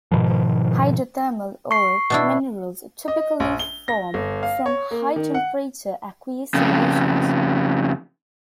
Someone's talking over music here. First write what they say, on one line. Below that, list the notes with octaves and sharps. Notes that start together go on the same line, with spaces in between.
Hydrothermal ore minerals typically form from high temperature aqueous solutions.
G#2 B2 D#3 F3
C#6 C7
B2 D4 E4
D#5
A#1
G7
A#6
G1
F5
C#5
A#3
D#3
F#5
F2 C#3